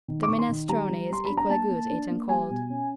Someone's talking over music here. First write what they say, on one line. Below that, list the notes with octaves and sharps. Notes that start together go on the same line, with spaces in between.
The minestrone is equally good eaten cold.
D#3
D6
D#3 C#6
C6
D#3
G3 A#5
G3
G3 C6
D4 B5
A#5
A#3 A5
A#3
D4
A#3
G3 G#5
B2
C#4